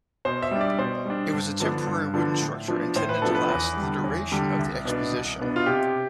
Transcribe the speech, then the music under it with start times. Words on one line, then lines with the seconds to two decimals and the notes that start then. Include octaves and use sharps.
It was a temporary wooden structure intended to last the duration of the Exposition.
0.25 B2 C5
0.42 E5
0.51 G3 D4
0.61 D5
0.78 B2 C5
1.06 G3 D4
1.33 G2
1.60 D3 F3 B3 D4
1.87 G2
2.14 D3 F3 B3 D4
2.41 A2
2.68 F3 B3 D4
2.95 A2 C5
3.09 B4
3.22 F3 B3 D4 A4
3.35 B4
3.50 E2
3.77 D3 G3
4.04 E2
4.32 D3 G3
4.59 C2
4.85 B2 B3 D4
5.12 C2
5.40 B2 B3 D4
5.56 F4
5.66 C3 G4